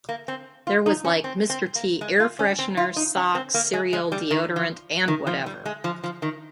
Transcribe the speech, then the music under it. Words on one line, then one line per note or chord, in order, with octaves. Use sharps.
There was like Mr. T air fresheners, socks, cereal, deodorant, and whatever.
A#3
C4
F4
D#4
C#4
C4
C4
A#3
G#3
F4
C#4
C4
F4
D#4
C#4
C4
A#3
G#3
G#3
G3
D#3
F3
D#3
F3
G3
G#3
F3
F3
D#3